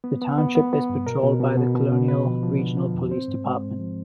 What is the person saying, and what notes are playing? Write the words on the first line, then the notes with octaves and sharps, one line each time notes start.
The township is patrolled by the Colonial Regional Police Department.
B3
B3
B3
B3
B3
G2
B2 A#4
B2
B2
B2
B2
B2
D3 B4
F3
F3
D3
F3
F2
C4 C5
G#2
G#3
G#2
F3